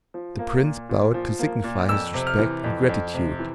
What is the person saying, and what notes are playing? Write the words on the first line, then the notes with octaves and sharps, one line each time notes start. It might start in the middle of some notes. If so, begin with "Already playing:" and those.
The prince bowed to signify his respect and gratitude.
F3
A#3
A#2
A#2
F3
A#3
A#2
F2 E6
C3
F6
E3
F2
F2
C3
E3